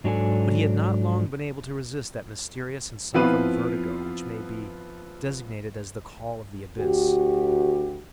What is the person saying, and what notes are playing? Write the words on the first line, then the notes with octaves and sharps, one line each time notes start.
But he had not long been able to resist that mysterious and sovereign vertigo which may be designated as the call of the abyss.
G#2 F#3 D4 G4 A4 G#5
F3 B3 C4 E4 F4 B4
D2 F#4 G4